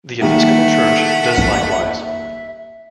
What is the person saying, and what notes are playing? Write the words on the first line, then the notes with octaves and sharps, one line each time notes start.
The Episcopal Church does likewise.
D#3 G3 A3 A#3 E5 F#5